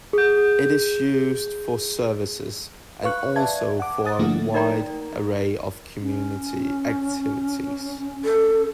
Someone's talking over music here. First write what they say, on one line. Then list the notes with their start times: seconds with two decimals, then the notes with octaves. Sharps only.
It is used for services, and also for a wide array of community activities.
0.13 G#4 G6
3.03 B4 F5 C#6 F#6
3.36 D5 E5 A5 G#6
3.80 F#5 D6
4.05 F#5 D#6 A6
4.19 D3 F3 A3 A#3 D4 E4
4.54 D#4 A#4 D5 G5 A#5
6.02 C#4
8.25 A4